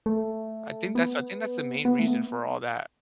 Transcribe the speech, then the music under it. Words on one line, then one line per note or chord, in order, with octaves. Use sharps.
I think that's I think that's the main reason for all that.
A3
B3
B3
A3
B3